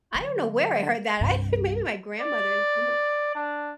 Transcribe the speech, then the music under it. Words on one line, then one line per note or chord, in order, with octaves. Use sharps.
I don't know where I heard that, I think maybe my grandmother is somewhere
D3 F#3
C2 G2
D5
D4